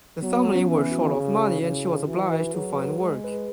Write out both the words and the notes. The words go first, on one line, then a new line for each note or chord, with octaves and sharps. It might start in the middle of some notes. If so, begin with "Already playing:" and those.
The family were short of money and she was obliged to find work.
F#3 B3
B3
C#4
E3 E4
F#4
C#3 G#4
F#4
C#4
E4
C#3 C#4
C#4
E3 F#4
B4
F#3 G#4
B4
G#3 G#4
B4